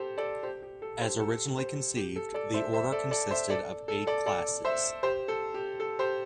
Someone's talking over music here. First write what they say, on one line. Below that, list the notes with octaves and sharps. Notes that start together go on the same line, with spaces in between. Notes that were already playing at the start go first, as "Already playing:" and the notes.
As originally conceived, the order consisted of eight classes.
Already playing: G4 A4 C5
A4 D5
G4 C5
G4
A4
G4 C5
A4
G4 C5
G4
A4
A4 D5
C5 E5
C5 E5
A4 D5
A4 D5
C5 E5
A4 D5
A4
A4 D5
A4 D5
C5 E5
G4 C5
A4
G4
A4
G4 C5